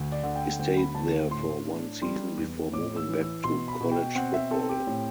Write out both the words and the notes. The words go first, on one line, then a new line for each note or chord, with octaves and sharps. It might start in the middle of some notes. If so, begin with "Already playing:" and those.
He stayed there for one season before moving back to college football.
Already playing: D2
D5
D3
G5
D2 G5
B5
D2 A5
A2 C6
D4
G3 C6
E2
A2 D6
E6
E3
E6
B2 C6
B5
B2
G5
C4 F#5
E5
C4 A4
G4
A2